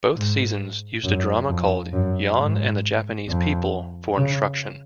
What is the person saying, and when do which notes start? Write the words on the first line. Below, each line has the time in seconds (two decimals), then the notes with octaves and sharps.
Both seasons used a drama called "Yan and the Japanese People" for instruction.
0.14 G#2
1.04 F#2
1.49 F2
1.93 F#2
2.38 G#2
3.28 F2
4.18 C#3